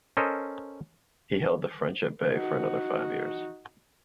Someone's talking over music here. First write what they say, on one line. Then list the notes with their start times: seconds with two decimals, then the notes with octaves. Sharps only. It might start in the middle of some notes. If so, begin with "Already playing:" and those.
He held the French at bay for another five years.
0.17 C#4 A4 A#4 C5 D#5
2.28 D#4 F#4